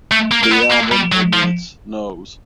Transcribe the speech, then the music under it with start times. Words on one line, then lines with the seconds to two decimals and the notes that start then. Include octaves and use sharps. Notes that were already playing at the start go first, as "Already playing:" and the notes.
The album omits Nos.
0.11 A3
0.31 A#3
0.43 A#3
0.51 B3
0.71 A#3
0.92 G3
1.12 F#3
1.33 F3